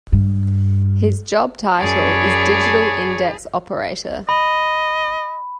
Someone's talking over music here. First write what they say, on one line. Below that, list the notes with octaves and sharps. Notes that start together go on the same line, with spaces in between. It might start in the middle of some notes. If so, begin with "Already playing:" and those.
His job title is digital index operator.
G2
F#2 G#4 C#5 D5 A5 B5
D#5 B5